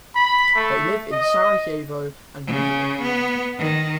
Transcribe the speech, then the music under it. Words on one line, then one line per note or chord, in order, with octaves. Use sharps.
They live in Sarajevo and Munich.
B5
A3
D#5
C#3
B3
D#3